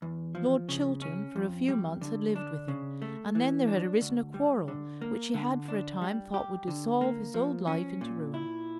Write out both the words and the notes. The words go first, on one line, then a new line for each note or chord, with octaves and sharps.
Lord Chiltern for a few months had lived with him; and then there had arisen a quarrel, which he had for a time thought would dissolve his old life into ruin.
E2
F3
C#3
C#4
F2
G3
D3
D4
C#3
A3
E3
D4
D2
G3
D3
A#3
D3
D4
G3
G4
D3
A#3
F3
C#4
A#2
E4